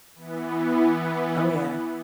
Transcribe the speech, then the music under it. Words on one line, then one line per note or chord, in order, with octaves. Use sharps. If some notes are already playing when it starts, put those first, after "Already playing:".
Oh, yeah.
E3 B3